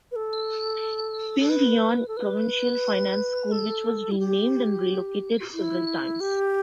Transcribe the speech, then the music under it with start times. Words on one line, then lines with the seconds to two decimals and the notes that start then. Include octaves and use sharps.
PingYuan Provincial Finance School, which was renamed and relocated several times.
0.12 B4
0.16 A4
1.40 A4
1.49 B4
2.08 A4
2.17 B4
3.52 A4
4.12 E4
4.19 G4
5.53 E4
6.20 G4